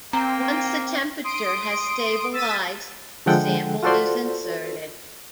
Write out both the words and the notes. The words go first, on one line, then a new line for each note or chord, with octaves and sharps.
Once the temperature has stabilized the sample is inserted.
A#3 C4 G5 A#5
C6 D#6 D7
E6 A6 B6 D#7
D3 F3 G#3 A4 F#5 G5
F4 F#4 A4 C5 D5 C6